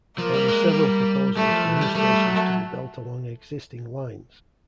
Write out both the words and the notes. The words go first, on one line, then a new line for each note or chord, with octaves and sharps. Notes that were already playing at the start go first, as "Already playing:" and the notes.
There are several proposals for new stations to be built along existing lines.
F3 A#3
G3
G#3
G3
G3 A3
F3
E3
G3
G3 A3
F#3